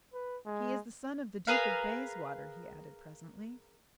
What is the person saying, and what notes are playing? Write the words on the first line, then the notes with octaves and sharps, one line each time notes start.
"He is the son of the Duke of Bayswater," he added presently.
B4
G#3
G#4 A#4 B4 F5